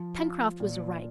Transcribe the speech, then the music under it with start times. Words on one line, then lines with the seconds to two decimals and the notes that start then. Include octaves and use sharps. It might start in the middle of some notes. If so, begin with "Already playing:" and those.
Pencroft was right.
Already playing: F3
0.18 F4
0.60 A#2